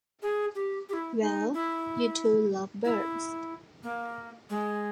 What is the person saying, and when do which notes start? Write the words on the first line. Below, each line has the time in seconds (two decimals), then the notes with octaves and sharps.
Well, you two love birds.
0.22 G#4
0.55 G4
0.89 G4
0.93 E4
1.21 D#4
1.54 E4
2.85 E4
3.83 A#3
4.50 G#3